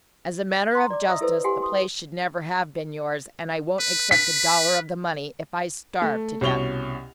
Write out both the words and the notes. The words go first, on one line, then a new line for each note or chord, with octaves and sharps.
"As a matter of justice, the place should never have been yours, and I won't accept a dollar of the money if I starve to death!"
A#5 C6
D5 D6
D#5 E5 A#5 D#6 E6
E4 A4 B4 C5 E6
G4 F#5 G#5 C6
C6 D#6
B4
B4 B6
A3
C2 B2 C#4 C#6 F7 G7